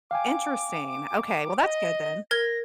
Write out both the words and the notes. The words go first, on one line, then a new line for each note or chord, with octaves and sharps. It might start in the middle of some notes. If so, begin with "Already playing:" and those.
Interesting. Okay. Well, that's good then.
F5 G5 G#5 D6
D#5
A#4 G#6 A#6